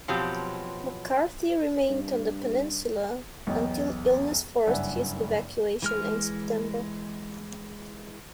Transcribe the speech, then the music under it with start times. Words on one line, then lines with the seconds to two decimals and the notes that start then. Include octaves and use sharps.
McCarthy remained on the peninsula until illness forced his evacuation in September.
0.08 B2 F3 F#3 C4 G4
1.89 G2
3.47 B1 E2 B3 D#5 G5
4.67 F#1 G2 D5 E5 F#5 G#5
5.82 E3 G#3 F6